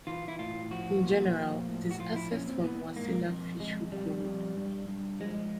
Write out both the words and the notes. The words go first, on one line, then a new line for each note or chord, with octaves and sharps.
In general it is accessed from wasilla fishhook road.
E3 F4
E4
A2 F4
F3 F#4
A#2
F3
A2
F#4
F3 F4
E4
A#2 C#4
C4
E3 B3
G#2 A#3
F2
F2 G#3
F2 G3
F2
G2
G2
F3 G#3